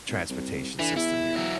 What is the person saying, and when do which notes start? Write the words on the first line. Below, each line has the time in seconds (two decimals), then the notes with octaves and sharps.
transportation system here.
0.08 G#1
0.30 C2
0.79 D3 E3
0.97 E2 E4
1.36 F#3 E4